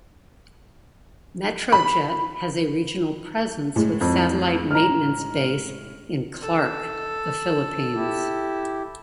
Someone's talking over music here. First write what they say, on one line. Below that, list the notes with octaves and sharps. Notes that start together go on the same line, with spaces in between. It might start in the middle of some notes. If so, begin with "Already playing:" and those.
Metrojet has a regional presence with satellite maintenance base in Clark, The Philippines.
B5
A2 G#3
F2
A#5 F6
A4
E4 G4